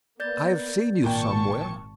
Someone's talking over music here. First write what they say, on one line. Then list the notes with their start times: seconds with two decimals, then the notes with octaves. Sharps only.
"I have seen you somewhere."
0.20 A#3 B3 D5 G6 A6
1.04 G#1 A#2 G5 A5 C#6